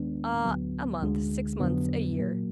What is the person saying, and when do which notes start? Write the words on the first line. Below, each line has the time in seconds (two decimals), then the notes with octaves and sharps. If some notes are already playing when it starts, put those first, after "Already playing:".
"Ah, a month--six months--a year."
Already playing: D#2 D#3 G#3 B3 D4
0.44 D2 D3 F#3 B3
1.02 D2 D3 G#3
1.60 F2 D3 F#3 B3
2.19 A#2 F#3 A#3